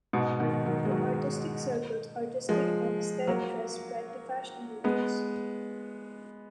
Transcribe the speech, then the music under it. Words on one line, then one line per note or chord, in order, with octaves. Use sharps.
From artistic circles, artistic and aesthetic dress spread to fashionable ones.
G#2 B2
B2 D#3
D#3 F#3
G#3
D#3 F#3
F3 G#3
F#3 A#3
G#3 B3